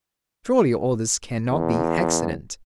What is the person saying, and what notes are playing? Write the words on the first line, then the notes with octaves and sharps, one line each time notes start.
Surely all this cannot be accident!
E2